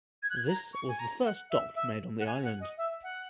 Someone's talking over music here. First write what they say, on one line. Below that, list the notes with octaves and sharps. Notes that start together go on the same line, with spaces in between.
This was the first dock made on the island.
G#6
F#6
G#6
A#5
C#6
G#5
A#5
F#5
E5
E5
F#5
G#5
F#5
D#5
E5
F#5